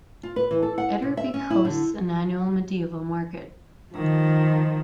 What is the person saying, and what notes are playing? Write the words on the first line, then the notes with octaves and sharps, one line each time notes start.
Etterbeek hosts an annual medieval market.
F4
B4
E3
A4
F#5
C3
E5
C#4
E4
D3
D#3 F3